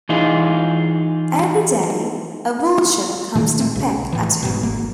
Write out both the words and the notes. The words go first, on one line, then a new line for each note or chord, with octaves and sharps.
Every day, a Vulture comes to peck at him.
E3 D#4 F4 G#4
A#2 D#3 A3 A#3
G#3 A3 C4 D4
B1 C#3
A2 E3
E1 G#2 B2
G#1 A#3